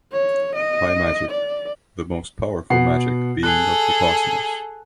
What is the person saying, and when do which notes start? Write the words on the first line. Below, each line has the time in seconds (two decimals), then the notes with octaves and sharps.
High Magic: The most powerful magic, being of the Cosmos.
0.12 C#5
0.55 D#5
1.31 D5
2.70 B2 F#5 C7
3.43 G#4 A4 F#6